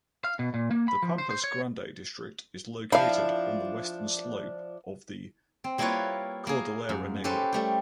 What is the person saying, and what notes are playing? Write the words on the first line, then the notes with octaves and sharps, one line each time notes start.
The Pampas Grande district is located on the western slope of the Cordillera Negra.
F5
B2
A#2
A#3
B5
F3
C5
C5
C#5
F3 D4 E4 F5
C4
G3 A#3 E4 F4 B4 C#5
A#3 G#4
F#2
C#4 G4 A4 B4 C5
G3 A3 G4